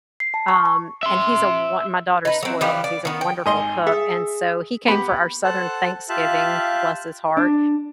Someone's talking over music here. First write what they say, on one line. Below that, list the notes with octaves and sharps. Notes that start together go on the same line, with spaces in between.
um, and he's a wo my daughter's spoiled because he's a wonderful cook, and so he came for our southern Thanksgiving, bless his heart,
C7
A5
C#6
C#6
E5 C6
D#4 B4
F#3 C4
E3 F3 D4 G4
D5
D#3 B3
G5
G#1 D#5 G#5 C6
G#4 E5
B3 G4 B5
A4 C5 F#5 A5 F#6
F4 G4 E5 F5 A5 F#6
D4